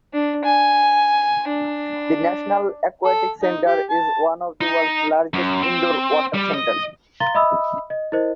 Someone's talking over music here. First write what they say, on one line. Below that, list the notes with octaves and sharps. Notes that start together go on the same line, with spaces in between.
The National Aquatic Centre is one of the world's largest indoor water centres.
D4
G#5
D4
A4
D#4
G4
A5
D#4
F#2
C4
G3
D#5
F5 A#5 C6 A6 G7
D#5 E5 B5 D#6 E6
D#5
E4 A#4 C5 D#5